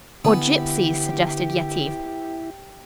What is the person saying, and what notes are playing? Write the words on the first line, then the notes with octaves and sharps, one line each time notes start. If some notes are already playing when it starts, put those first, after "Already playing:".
"Or gypsies" suggested Yetive.
D3 B3 E4 G4 G#5